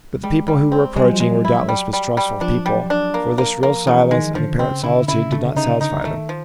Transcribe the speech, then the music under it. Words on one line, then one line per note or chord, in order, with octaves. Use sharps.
But the people who were approaching were doubtless mistrustful people, for this real silence and apparent solitude did not satisfy them.
G3 G#3
G3
C4
G3 G#3
F#3
F3
F#3 G#3
E4
G3
G3
G3
F3 D4
G3
D4
A#3
A#3
A#3
C#3 E3
D#3 G#3
D3 F3
C#3 C4
D3 E4
C#3 E4
D3 A3
C#3 D#4
D3 D#4
D#3 A3
F3